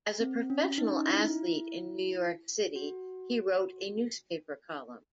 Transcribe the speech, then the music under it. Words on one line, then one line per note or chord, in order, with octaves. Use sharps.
As a professional athlete in New York City, he wrote a newspaper column.
C4
C#4
D#4
C#4
D#4
E4
F#4